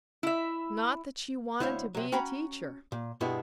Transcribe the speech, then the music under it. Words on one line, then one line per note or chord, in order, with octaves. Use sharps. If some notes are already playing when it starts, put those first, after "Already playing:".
Not that she wanted to be a teacher!
E4 E5
D2 E4 C5 C#5 F5
C3 F#3
C#4 F#4 G5 A#5 B5
A#2
G2 B2 G#3 B3 E4 F#4